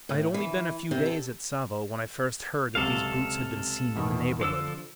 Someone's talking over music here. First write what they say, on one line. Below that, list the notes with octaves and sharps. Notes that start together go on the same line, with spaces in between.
I had only been a few days at Tsavo when I first heard that these brutes had been seen in the neighbourhood.
A2
E3
C3
A4
C#2 C3 F#3 A4 F5
E2 B2 D#3
D3 F3 A4 E6